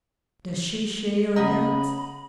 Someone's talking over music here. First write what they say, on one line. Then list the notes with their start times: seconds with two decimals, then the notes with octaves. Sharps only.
"Does she share your doubts?"
1.36 C#3 D#5 F#5 A#5 B5